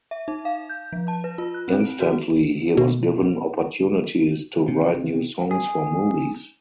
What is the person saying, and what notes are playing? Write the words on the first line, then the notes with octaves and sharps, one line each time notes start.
Instantly he was given opportunities to write new songs for movies.
E5
D#4
F5
G6
F3
A5
B4
F4
F#6
C4
D7
F#4
B2
C3
G#4